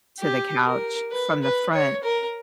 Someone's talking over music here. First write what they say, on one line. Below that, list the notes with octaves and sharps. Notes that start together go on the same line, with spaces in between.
to the couch from the front.
G4
A#4
B4
B4
C#5
A#4